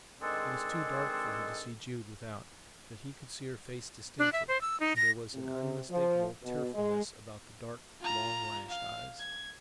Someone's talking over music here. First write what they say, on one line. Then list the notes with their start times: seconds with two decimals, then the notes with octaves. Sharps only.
It was too dark for her to see Jude without, but he could see her face distinctly, and there was an unmistakable tearfulness about the dark, long-lashed eyes.
0.21 D#3 G#3 C4 D4 G#4 A4
4.19 D4
4.32 E5
4.48 C5
4.61 E6
4.80 D#4
4.96 A#6
5.35 C3
5.90 F3
6.43 B2
6.73 G#3
8.01 F4 A#5
8.69 F5
9.19 G#6